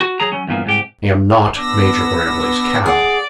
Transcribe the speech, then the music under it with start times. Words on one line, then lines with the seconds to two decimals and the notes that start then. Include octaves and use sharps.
"I am not Major Grantly's cow."
0.01 F#4
0.20 F#3 G#4 A#5
0.32 F#3 C#4
0.47 E2 G2 A#2 F3
0.65 C2 G#2 G4
1.56 B3 D4 E6 A#6
2.26 D4
2.86 G#4 D5 F#5